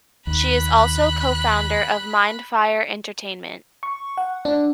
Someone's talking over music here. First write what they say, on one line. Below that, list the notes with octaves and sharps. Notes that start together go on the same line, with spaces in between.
She is also co-founder of Mindfire Entertainment.
D#2 B5 F#6
C#6
F#5
D4